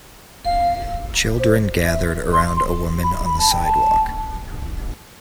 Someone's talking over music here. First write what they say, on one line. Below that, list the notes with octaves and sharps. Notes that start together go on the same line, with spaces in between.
Children gathered around a woman on the sidewalk.
F5
C5
E5
C6
C6
B5
B5
A5
G5
A5